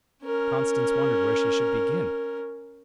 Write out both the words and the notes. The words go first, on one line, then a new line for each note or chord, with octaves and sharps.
Constance wondered where she should begin.
C#4 A#4